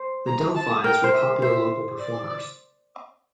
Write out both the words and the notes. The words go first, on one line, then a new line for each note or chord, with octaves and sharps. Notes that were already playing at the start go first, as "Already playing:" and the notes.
The Del-Phis were popular local performers.
Already playing: C5
A#5
A5
A#4 G5
C5
E5
C5 E5
D5